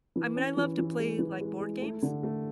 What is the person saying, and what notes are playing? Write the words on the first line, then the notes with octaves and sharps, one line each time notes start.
I mean, I love to play, like, board games.
E3
C#4
E3
E3
G#3
E3
G#3
G#3
A3
D3
A3